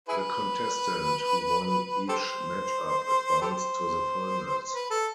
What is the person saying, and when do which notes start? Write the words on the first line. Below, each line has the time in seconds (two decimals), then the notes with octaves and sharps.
The contestant who won each matchup advanced to the finals.
0.09 E4 G#4 B4
2.09 G4 A4 C5
3.41 G4 A4 C5
4.74 B4
4.90 A4